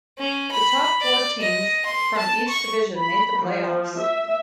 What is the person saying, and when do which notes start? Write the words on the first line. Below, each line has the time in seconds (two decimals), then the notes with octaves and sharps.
The top four teams from each division made the playoffs.
0.18 C#4
0.52 B5
1.01 D5
1.41 D#5
1.86 C6
2.18 A5
2.48 C#6
2.96 B5
3.41 F3
3.98 E5